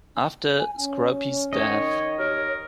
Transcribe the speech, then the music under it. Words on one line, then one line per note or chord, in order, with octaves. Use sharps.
After Scrope's death.
G#5
C#4
D#3 C#5 D#5
D#2 A#4 C#5